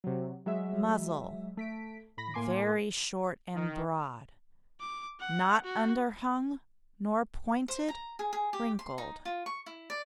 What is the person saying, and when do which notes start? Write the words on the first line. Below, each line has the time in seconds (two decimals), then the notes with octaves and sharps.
MUZZLE--Very short and broad; not underhung nor pointed; wrinkled.
0.04 C3 F#3
0.46 F#3 G#3 E5
1.57 A3 B6 D7
2.17 A2 B5 A#6
2.34 A2 A#3 G#5 C6 D6
3.55 D#3
4.80 D6
5.20 F#5
5.64 F#4
7.68 C5
7.88 A#5
8.19 G#4
8.33 G#4
8.53 G4
8.79 C6
8.98 D#4
9.25 F4
9.46 C#6
9.66 E4
9.90 D5